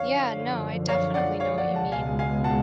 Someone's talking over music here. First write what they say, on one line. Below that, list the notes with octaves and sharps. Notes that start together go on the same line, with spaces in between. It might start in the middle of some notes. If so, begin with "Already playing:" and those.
yeah, no, I definitely know what you mean,
Already playing: F#2 D3 F3 C#5 F5
C#5 F5
D5 F#5
C#5 F5
D5 F#5
F#5 A5
C#2 B2 G#3 F5 G#5
F5 G#5
F#5 A5